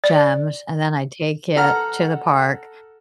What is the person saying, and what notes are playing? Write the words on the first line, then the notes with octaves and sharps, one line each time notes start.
gems, and then I'd take it to the park,
D5
A4 F#5 A#5 F6